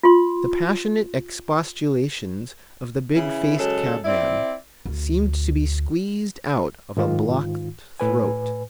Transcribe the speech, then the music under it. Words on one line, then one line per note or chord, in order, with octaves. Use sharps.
The passionate expostulations of the big-faced cabman seemed to be squeezed out of a blocked throat.
F4 C6
C#3 E3 E4
C#3 F#3 G#3 A4
C4 E4 D5
D2
G#2 D#3 F4
A2 B4 G#5